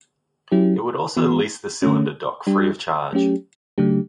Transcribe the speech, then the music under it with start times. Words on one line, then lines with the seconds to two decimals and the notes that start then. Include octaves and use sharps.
It would also lease the cylinder dock free of charge.
0.52 F#3 C#4 E4 G4
1.17 E3 B3 F#4
1.82 D3 A3 C#4
2.47 G3 D4 G4
3.13 F#3 A3 C#4 G4
3.78 C#3 F#3 A3 D4 G4